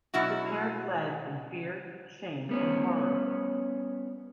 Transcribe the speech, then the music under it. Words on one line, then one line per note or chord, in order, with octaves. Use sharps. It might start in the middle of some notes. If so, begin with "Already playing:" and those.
The pair fled in fear, shame, and horror.
B2 F#3 E4 F#4
G3 B3 C#4